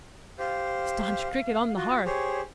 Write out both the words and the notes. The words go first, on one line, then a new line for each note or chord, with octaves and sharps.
Staunch Cricket on the Hearth!
G4 C5 F5
F4 F#4
G4 G#4 C5 C#5